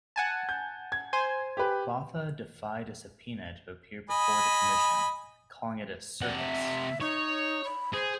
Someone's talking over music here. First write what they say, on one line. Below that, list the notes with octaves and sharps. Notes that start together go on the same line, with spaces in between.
Botha defied a subpoena to appear before the commission, calling it a "circus".
F#5 G#5 A5
G6
G#6
C5 G#5
G4 B4
D#5 G#5 B5
C3 D5 F#5
E5
D#4 C#5
B5
G#4 C5